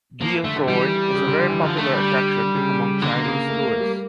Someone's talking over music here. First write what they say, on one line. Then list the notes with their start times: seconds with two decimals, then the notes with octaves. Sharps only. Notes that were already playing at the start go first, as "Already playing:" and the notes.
Giethoorn is a very popular attraction among Chinese tourists.
0.21 F3 A#3
0.44 D3 A3
0.56 D3
0.68 E3 G3
1.14 C#3
1.27 D3
1.38 D3
1.49 E3
1.61 D3 F3
1.77 A3
1.93 G3
2.55 C#3
3.02 D3 A#3
3.25 C#3
3.49 A3
3.64 A3
3.80 G3